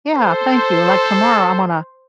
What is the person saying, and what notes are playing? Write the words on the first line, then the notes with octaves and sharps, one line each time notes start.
Yeah, thank you, like tomorrow, I'm gonna
A4 C5